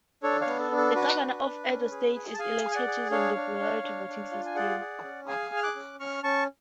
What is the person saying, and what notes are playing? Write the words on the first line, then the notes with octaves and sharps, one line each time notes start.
The Governor of Edo State is elected using the plurality voting system.
D4 A4 C#5
C#5 F5
B3
A4
D4
A4
F#4 B4
D4
D4
C#4
G#4
G#4
A5
G#4 F5 G#5
G#4
G#5
D5 F#5
G#4
D4 C#5 F5
D4
D4
D4
D4
F4
G#5
G#4 D5 F#5
G#4
C#4
G#4 F5 G#5
G#4 F6
D6 F#6
C#4
C#4 C#6 F6
C#4 A5 C#6